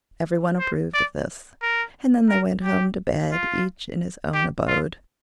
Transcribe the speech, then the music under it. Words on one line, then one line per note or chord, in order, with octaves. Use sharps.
Every one approved of this, and then they went home to bed each in his own abode.
C5
D5
A#4
A#4
G4
F4
G4
F4